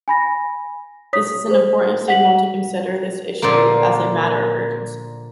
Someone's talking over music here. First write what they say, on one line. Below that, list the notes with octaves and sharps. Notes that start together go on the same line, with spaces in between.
This is an important signal to consider this issue as a matter of urgency.
G#5 B5 A#6
C#5 D#6 B6
G#4 C5
F#5 B6 F#7
A#2 D3 F3 A#3